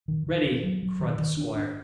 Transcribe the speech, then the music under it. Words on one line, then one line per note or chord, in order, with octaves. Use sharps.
"Ready!" cried the squire.
D#3
D#3
D4
F#3
F#3
D#3
D#3
D4
D4